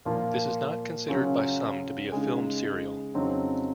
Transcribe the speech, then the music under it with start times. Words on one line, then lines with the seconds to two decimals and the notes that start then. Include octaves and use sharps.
This is not considered by some to be a film serial.
0.05 A#2 F3 A#3 F4
1.08 C#3 F#3 C#4 F4
2.12 C#3 G#3 D#4 G#4
3.14 F2 C#3 F#3 C4 D#4